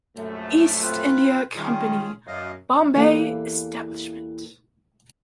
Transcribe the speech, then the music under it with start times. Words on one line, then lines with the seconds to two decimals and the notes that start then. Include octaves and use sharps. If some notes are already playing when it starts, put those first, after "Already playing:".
East India Company, Bombay establishment.
0.16 A#1 F#2 A3
0.82 C4 F4 B4
1.56 D#3 G3 C#4 F4 G#4
2.27 F#2 D#5 F5
2.95 E2 E3 A#3 G4 A4 F5